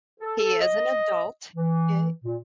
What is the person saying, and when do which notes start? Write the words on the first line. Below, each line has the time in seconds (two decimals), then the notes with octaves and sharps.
He is an adult, ye
0.21 A4
0.39 A4
0.61 D#5
1.56 E3
2.25 A#2